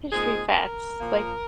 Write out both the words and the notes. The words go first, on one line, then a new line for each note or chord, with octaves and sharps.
history facts", like
A#2 G#3 C4 D#4 G#4
A#4
A#2 F3 A#3